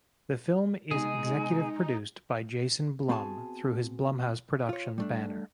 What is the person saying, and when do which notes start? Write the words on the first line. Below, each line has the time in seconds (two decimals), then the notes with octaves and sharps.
The film is executive produced by Jason Blum through his Blumhouse Productions banner.
0.91 C3 G#3 B3 D#4 G#4
3.09 B3 C4 F#4 G#4 G#5 A5
4.69 F4 C#5
4.98 G3 A3 D4